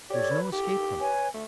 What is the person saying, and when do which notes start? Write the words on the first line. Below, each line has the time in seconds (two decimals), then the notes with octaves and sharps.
There's no escape from it.
0.10 G4 A4 C#5 D5
0.31 B4
0.53 G4 A4
0.99 B4 C#5 G#5
1.34 A3